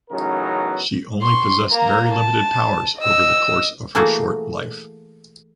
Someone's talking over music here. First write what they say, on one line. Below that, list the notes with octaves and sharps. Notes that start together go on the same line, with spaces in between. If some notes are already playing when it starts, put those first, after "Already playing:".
She only possessed very limited powers over the course of her short life.
A1 C#3 F#3 B3 D#4 A#4
C6 C#6
A#3 A#5
A5
D#5 E6
E3 A3 A#3 F#4 G#4 A4